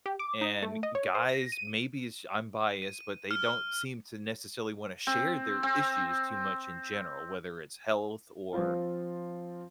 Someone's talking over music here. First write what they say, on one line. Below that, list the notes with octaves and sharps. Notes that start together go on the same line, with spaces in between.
And guys, maybe it's j I'm biased, but they don't seem to necessarily wanna share their issues too much in general, whether it's health or,
G4
D6
D#4
A3
D#5
C#5
C5
A#6
D#7
D#7
F6
C4
C4
F3 C4 F4